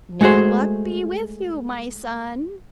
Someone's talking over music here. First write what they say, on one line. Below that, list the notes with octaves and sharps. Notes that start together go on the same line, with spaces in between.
'May Luck be with you, my son.
G#3 A3 F#4 G#4 C5